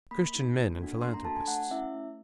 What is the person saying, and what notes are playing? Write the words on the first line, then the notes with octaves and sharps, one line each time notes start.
Christian men and philanthropists!
A#3 B5
D#4 F#4
A#3
D4 F#4 A4
A#3 C6
A#5
D4 F#4 A4 A5
G#5
A3 F#5
C#4 E4 E5
A3